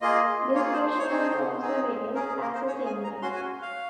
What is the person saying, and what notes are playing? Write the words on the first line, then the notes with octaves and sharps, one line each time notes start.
This version was also released as a single.
A#3 F4 G#4 D#5
A#3 F4 G#4 C#5
C5
C5
C#5
C4 D#4 G#4 C5
C4 D#4 G#4
C#4 G#4 A#4
G#4
A#4
C5
C#4 C#5
G#4
G#5
A#5
C#4 F#4 C6
G#5
F5